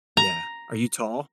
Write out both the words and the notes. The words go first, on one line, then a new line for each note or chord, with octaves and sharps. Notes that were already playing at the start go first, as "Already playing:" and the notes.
Yeah. Are you tall?
A#5